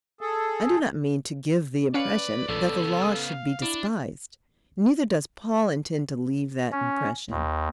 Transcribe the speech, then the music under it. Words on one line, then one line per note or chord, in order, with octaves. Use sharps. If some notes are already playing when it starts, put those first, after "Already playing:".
I do not mean to give the impression that the Law should be despised. Neither does Paul intend to leave that impression.
G#4 A4
C#4 B4 D5 F5 C#7
A#1 C#3 B3 A4
F5 D#6
D4 E4
C#4
D#2